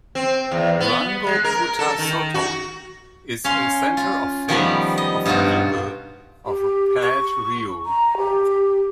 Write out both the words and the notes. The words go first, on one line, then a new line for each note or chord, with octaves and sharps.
"Luangpho Phuttha Sothon" is a centre of faith of the people of Paet Riu.
C4
E2
B3
G#3
A#4
A4
D#3
F#4
C#4 F5 C6
F4
D#3 F3 G3 B3
D#5
G2 B2 D#4 F4 F#4
G4
C#6
A#5
G4